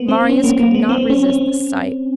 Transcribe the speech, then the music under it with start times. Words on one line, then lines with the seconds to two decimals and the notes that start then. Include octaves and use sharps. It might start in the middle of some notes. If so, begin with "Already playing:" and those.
Marius could not resist this sight.
Already playing: A#3 B3
0.08 C4
0.29 C#4
0.44 A#3
0.59 A#3
0.74 B3
0.89 C4
1.10 C#4
1.30 C#4